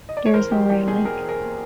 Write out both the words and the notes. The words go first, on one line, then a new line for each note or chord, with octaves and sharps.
There is no rail link.
D#5
D5
C#5
E2 A#4 C5
F#3 G4
E2 G4
B2 G#4
B2 G#4 A#4
E2
G#4 A#4
A#3